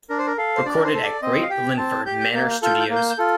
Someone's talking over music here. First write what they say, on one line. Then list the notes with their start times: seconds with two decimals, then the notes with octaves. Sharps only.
Recorded at Great Linford Manor Studios.
0.10 D4 A#4
0.18 C5
0.27 A#4
0.38 A4 F5
0.56 C5
0.66 D4 D5
0.76 A#4
0.85 C5
0.95 A4
1.04 D5
1.22 C4 D#5
1.42 F5
1.50 G4 G5
1.77 C4 A5
2.06 G4 G6
2.21 G6
2.34 A#3 G6
2.51 G6
2.62 F4 A4 G6
2.80 G6
2.90 A#3
2.96 G6
3.10 G6
3.18 F4 A4